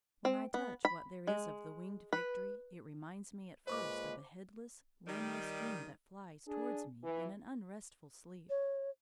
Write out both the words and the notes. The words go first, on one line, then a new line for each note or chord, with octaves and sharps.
When I touch what there is of the Winged Victory, it reminds me at first of a headless, limbless dream that flies towards me in an unrestful sleep.
C4
B3
B5
G#3
B4
A#2 G#3 B4 C5 C#6 D6
D#3 G3
D4 G#4
E3
C#5